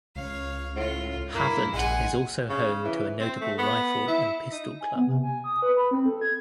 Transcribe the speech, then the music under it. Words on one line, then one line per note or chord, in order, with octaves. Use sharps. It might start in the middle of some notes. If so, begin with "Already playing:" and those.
Havant is also home to a notable rifle and pistol club.
C#2 C#5 F5
A2 F4
G2 A#3 E4
A#1 G#3 F#5 G#5
C#3
E3
C4
A3
B3
E4
D#4
G#5
B3
C3
G#5
D#6
B4
B5
C4
A4
G#6